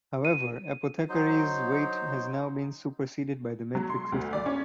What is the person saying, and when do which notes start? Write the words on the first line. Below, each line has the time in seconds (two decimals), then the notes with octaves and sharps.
However, apothecaries' weight has now been superseded by the metric system.
0.25 D#7
1.09 F#3 D#4 C5
3.75 F#3
3.90 C6
4.12 D2
4.33 D5
4.46 C#4